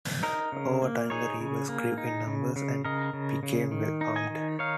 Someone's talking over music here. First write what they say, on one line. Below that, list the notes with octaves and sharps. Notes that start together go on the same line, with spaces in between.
Over time the rebels grew in numbers and became well armed.
D#4 A#4 D#5
C#3
A#3
D#4 G#4 C#5
C#3
A#3
D#4
C#3
C#3
C#3 A#4 D#5
C#3
C#3
D#3
D#4
D#5 G#5
D#3
D#4 C#5 F5